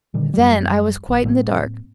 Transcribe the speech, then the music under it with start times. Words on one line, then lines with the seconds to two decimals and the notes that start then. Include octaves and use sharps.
Then I was quite in the dark.
0.14 A#2 D3 D#3 G3
0.34 F#2 F#3 G3
1.09 A#1
1.24 A2 F#3 A#3 C4